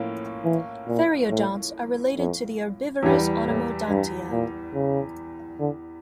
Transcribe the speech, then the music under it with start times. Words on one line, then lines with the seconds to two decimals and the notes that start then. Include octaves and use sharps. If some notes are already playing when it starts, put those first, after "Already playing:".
Theriodonts are related to the herbivorous Anomodontia.
Already playing: A2 F3 A#3 C#4 F4
0.45 E3
0.88 A#2
1.30 A2
2.17 F2
3.03 E2 G2 E3 G3
3.46 A2
3.88 G2
4.32 A#2
4.74 C#3
5.60 D3